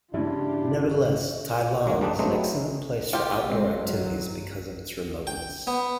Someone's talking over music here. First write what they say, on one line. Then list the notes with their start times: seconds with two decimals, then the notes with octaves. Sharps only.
Nevertheless, Tai Lam is an excellent place for outdoor activities because of its remoteness.
0.14 G2 C#3 E3 D4 E4 F4 G4
1.86 D2 F#3 G#3 A#3
2.01 F3 G3 A3 D4 D#4
2.19 F#3 G#3 A3 B3 C4 D#4
3.13 F4 G4
3.45 G#3 C4
3.78 G2 F#3
5.27 G5
5.67 B3